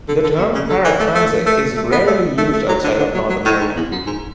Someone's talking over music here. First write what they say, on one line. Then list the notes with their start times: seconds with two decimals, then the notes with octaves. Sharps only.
The term "paratransit" is rarely used outside of North America.
0.08 D3
0.24 D3
0.39 B2
0.55 C#3
0.69 D3
0.85 E3
1.00 A3
1.15 A3
1.46 A3
1.77 A3
1.92 B3
2.07 A3
2.38 A3
2.53 A3
2.69 F#3
2.84 D3
3.00 D3
3.15 F#3
3.30 F#3
3.46 A2
3.61 G#2
3.76 E2
3.92 F#2
4.07 G#2